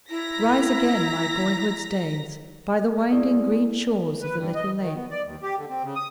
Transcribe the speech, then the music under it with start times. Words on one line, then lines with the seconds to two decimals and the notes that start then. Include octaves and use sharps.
Rise again, my boyhood's days, by the winding green shores of the little lake.
0.10 E4 A#5 A#6 B6
3.10 G#3 C4 E4 G#4 D5 D#6
4.22 B4
4.37 G2
4.55 D#5
4.80 D#3
4.94 B3
5.11 D5
5.24 D#2
5.43 G4
5.57 D3
5.69 C4
5.83 C#3
5.96 D#6